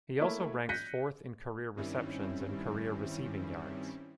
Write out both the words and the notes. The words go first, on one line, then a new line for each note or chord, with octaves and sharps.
He also ranks fourth in career receptions and career receiving yards.
A3 A#3 E4 C#5
F#6 G6 A#6 B6 C#7 D#7
G2 D#3 G3 C4 C#4 E4